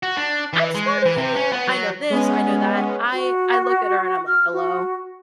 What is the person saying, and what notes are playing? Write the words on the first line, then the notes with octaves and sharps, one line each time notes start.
"I'm smarter than you. I know 'this', I know 'that'." I I look at her and I'm like, "Hello?"
F#4
D4
E3
G#3
E3
C3
C#4
B3
F#3
G#3 B3 C#4
F#4
F6
F#4